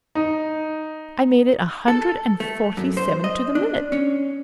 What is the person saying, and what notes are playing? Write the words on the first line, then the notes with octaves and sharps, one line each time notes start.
I made it a hundred and forty-seven to the minute.
D#4
A4
A3
F#2
C5
D#5
D4
C#4